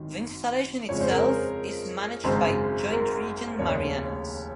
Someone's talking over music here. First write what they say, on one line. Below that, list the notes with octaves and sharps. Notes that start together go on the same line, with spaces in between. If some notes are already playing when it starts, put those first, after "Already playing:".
The installation itself is managed by Joint Region Marianas.
Already playing: G#1 F#2 D#3
F2 C#3 F3 G#3 C#5
C5
A#4
C5
G#1 F#2 C#3 G#3 C5
A#4
F1 D#2 C#3 C#5